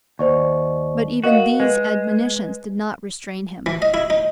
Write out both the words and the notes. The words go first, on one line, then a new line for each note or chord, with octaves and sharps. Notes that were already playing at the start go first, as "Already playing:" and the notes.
But even these admonitions did not restrain him.
D#2 C5 D5 C#6
F#4 A#4 D#5 F5
G#3 B4
E3
D#5
E4
D#4